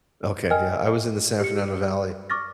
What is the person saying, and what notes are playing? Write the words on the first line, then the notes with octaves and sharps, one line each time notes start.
Okay, yeah, I was in the San Fernando Valley.
A#4 D#5 G5 G#5 F6
G4 C#7
C#6 D6 F6 A6 A#6